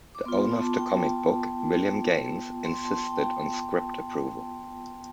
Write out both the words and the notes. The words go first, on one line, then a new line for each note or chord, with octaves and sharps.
The owner of the comic book, William Gaines, insisted on script approval.
D6
B3 F4 C6
A5
G5
A5
C6
A5
G5